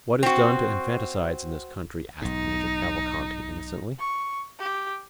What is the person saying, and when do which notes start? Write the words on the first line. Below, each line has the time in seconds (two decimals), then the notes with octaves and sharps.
"What is done to infanticides in this country?" asked Major Cavalcanti innocently.
0.23 C4 F#4
2.22 B1 G#2 D#4
3.99 C#6
4.59 G4